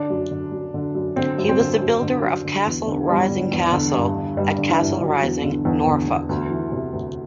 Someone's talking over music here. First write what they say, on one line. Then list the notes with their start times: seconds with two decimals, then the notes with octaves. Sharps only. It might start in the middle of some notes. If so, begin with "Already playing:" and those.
He was the builder of Castle Rising Castle at Castle Rising, Norfolk.
Already playing: D3 D4
0.10 F#2
0.31 D3
0.52 F#2
0.74 D3
0.95 F#2
1.16 D3 C4
1.38 F#2
1.49 C4
1.60 D3
1.81 F#2
2.02 D3
2.24 F#2
2.45 D3
2.66 E2
2.87 D3
3.09 E2 G3
3.30 D3
3.52 E2
3.72 D3
3.94 G2
4.16 D3
4.37 G2 G3
4.58 D3
4.69 E3
4.80 G2
5.01 D3 F#3
5.22 E2
5.44 D3
5.65 E2
5.87 D3
6.08 E2
6.29 D2
6.50 E3
6.72 C3
6.93 D2